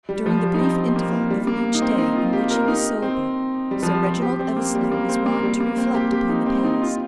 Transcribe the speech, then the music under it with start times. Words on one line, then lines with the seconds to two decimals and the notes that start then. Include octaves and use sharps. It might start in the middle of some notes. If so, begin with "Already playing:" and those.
During the brief interval of each day in which he was sober, Sir Reginald Eversleigh was wont to reflect upon the past.
0.09 G3
0.26 F3
0.43 G3
0.54 D#4
0.61 C4
0.87 C4
0.96 A#3
1.30 G3
1.47 A#3
1.75 D#4
1.82 C4
1.98 D#4
2.16 F4
2.33 G4
2.51 A#4
2.68 D#4
3.02 C4
3.71 G3
3.83 F3
3.94 G3
4.06 C4
4.22 G4
4.40 C4
4.57 A#3
4.75 G3
4.92 A#3
5.09 C4
5.26 A#3
5.43 G3
5.60 A#3
5.78 C4
5.94 G4
6.12 G4
6.30 D#4
6.46 C4
6.64 D#4
6.82 F4